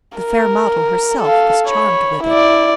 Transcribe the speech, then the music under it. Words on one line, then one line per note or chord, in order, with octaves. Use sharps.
The fair model herself was charmed with it.
A#4
A4 F5
C#5 B5
E4 D5